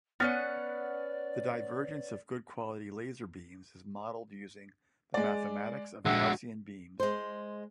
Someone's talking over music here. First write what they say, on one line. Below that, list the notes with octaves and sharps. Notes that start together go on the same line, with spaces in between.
The divergence of good-quality laser beams is modeled using the mathematics of Gaussian beams.
B3 C#4 D5 F#5 F6 A6 D#7
G#3 D5
A#1 G#3 F#4 E5 F#5
G#3 C5